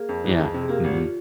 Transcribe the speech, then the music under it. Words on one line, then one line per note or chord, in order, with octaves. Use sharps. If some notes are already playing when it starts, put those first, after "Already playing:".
Yeah, mhm.
Already playing: A#3 G#4
F2
E3
F2
C3
G#4
A#3 G4
G#1 G4
F4